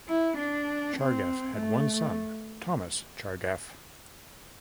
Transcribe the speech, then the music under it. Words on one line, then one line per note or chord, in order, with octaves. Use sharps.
Chargaff had one son, Thomas Chargaff.
E4
D4
C4
A3